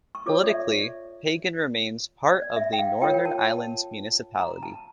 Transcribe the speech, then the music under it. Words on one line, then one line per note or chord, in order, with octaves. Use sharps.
Politically, Pagan remains part of the Northern Islands Municipality.
C#6
F4 A4 C#5 D6
D5
E5
D5
D5
E5
G5
F5
F4 A#4 C#5 G5
G5
A5
A5
A#5
A5